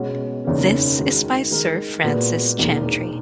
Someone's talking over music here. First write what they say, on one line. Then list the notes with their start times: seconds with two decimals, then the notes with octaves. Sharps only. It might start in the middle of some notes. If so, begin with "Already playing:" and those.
This is by Sir Francis Chantrey.
Already playing: B2 G#3 C#4 F#4
0.44 F#1 E2 D#3 A#3 C#4
0.98 D#3 G#3 D#4 F#4
1.51 D#3 G#3 D#4 A#4
2.04 A#2 G#3 B3 F#4 B4
2.57 E1 E2 D#3 A#3